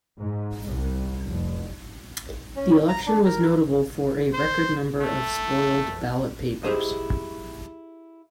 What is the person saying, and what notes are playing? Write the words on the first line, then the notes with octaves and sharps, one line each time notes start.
The election was notable for a record number of spoiled ballot papers.
G#2
C2
F1
C#4
A#5
D4
A#4
C5
A3
E4 G4 G#4 C5 D#5